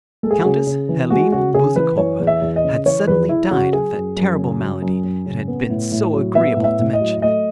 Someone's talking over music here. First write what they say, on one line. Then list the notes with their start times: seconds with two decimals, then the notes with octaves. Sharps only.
Countess Helene Bezukhova had suddenly died of that terrible malady it had been so agreeable to mention.
0.23 G#3 A4
0.31 G#4
0.39 F#4
0.45 C#3 G#4
0.67 C#3
0.89 E3
1.10 G#3 F#4
1.32 C#3 F#4
1.54 C#3 G#4
1.76 E3 B4
1.98 E3 C#5
2.20 E2
2.27 E5
2.42 E2
2.56 D#5
2.64 C#3
2.86 E3 C#5
3.07 E2 B4
3.29 E2 E4
3.51 C#3 F#4
3.73 F#3 G#4
3.95 F#2
4.17 F#2
4.38 C#3
4.60 F#3
4.82 F#2
5.04 F#2
5.26 C#3
5.48 B3
5.70 A2
5.92 A2
6.13 F#3
6.35 B3 E5
6.57 A2
6.64 E5
6.79 A2
6.93 D#5
7.01 F#3
7.22 A3 D#5